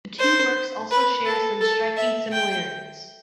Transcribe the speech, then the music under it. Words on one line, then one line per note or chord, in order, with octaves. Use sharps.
The two works also share some striking similarities.
C5
B4
A4
A4
E5
G5